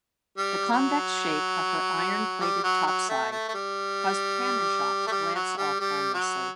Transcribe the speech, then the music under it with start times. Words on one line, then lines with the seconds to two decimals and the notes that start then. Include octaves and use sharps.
The convex shape of her iron-plated topside caused cannon shot to glance off harmlessly.
0.37 G3
0.72 F#3
2.40 G3
2.64 F#3
2.86 F#3
3.09 A3
3.31 A3
3.48 A3
3.54 G3
5.07 A3
5.11 G3
5.35 F#3
5.57 G3
5.80 G3
6.14 F#3